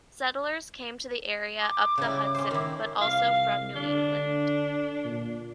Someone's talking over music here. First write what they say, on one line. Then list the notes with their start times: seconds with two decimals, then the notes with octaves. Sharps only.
Settlers came to the area up the Hudson, but also from New England.
1.60 D6
1.98 C#3 G3 E4
2.35 C#4 C5
2.51 D#3 E4
3.01 C2 F5
3.75 D3 D4
5.05 A#2